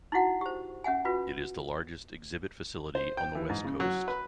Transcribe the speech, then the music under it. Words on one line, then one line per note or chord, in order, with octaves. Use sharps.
It is the largest exhibit facility on the West Coast.
D#4 E4 F#4 F#5
G4 C5
C#4 E5 F#5 G#5
F4 F#4 B4
C5
G5
E3
G#2
C#3
F#3
B4